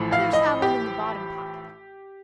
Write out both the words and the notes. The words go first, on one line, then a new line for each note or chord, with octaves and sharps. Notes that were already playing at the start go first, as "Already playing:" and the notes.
Others have 'em in the bottom pocket.
Already playing: A1 A2 F3
F5
D#5
G4